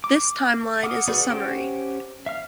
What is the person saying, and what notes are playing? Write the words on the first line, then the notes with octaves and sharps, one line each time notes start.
This timeline is a summary.
D6
F#5 D6 D#6 F6
F#4 G#4 B4 D5 F#5
C#4 G4 C5 F#5 G5
E5 F5 F6